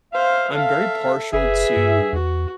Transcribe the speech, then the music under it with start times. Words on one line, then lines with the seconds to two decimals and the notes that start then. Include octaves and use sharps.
I'm very partial to
0.13 C5 E5 F5
0.52 A4 E5
1.33 F#1 G#4 B4 E5
1.76 G2
2.13 E2 F#4